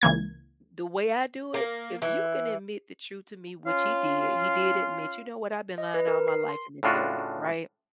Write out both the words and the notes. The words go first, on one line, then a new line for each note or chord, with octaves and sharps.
the way I do it, if you can admit the truth to me, which he did, he did admit, "You know what, I've been lying all my life in this area," right?
C#2 E3 A#3 G#6
A#3
E3
C#4 F4 F5
D#5
B4
A#4
C7
C6
A2 C#3 D4 F4 F#4